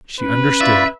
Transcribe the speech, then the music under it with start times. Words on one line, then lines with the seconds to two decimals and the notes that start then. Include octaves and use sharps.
She understood!
0.20 C#4 B4
0.61 E4 F4 D5 E5